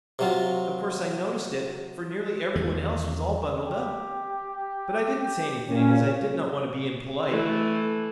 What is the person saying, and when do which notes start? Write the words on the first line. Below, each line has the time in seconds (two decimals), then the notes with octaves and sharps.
Of course I noticed it, for nearly everyone else was all bundled up; but I didn't say anything as I did not want to be impolite.
0.19 C3 F#3 F4
2.55 E2 D#3
3.62 G4
5.69 A#2 C#4
7.28 E3 A3